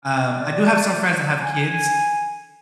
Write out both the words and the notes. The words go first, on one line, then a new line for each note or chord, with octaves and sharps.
um, I do have some friends that have kids,
D5
G#5